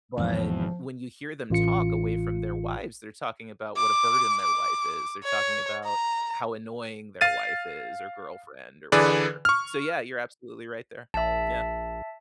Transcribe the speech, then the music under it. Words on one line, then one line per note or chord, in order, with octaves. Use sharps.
But, when you hear them talk away from their wives, they're talking about what a burden their wife is. They're talking about how annoying their wife is or girlfriend or whatever. So, yeah, you're absolutely right there. Yeah.
G#1 E2 G#2 B2 F3
A1 F4 C#7
D6
D6
C#5
A#5
F5 A6 D#7
D3 E3 G#4 B4 D5
C#6 F6
A#1 E5 A5